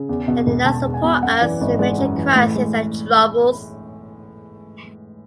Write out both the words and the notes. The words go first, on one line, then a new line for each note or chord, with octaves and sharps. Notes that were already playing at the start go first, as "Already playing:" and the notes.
They did not support us in major crises and troubles.
Already playing: C#3
E2
B2
E1
E1 A5
E2
G#5
B2
F#2 F#5
E3 D5
G#1 D5
G#3 D5
F#2
E3
A2
G#3